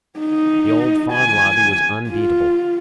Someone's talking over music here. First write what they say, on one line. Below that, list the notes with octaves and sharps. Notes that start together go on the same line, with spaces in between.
The old Farm Lobby was unbeatable.
D#4
G#5
F4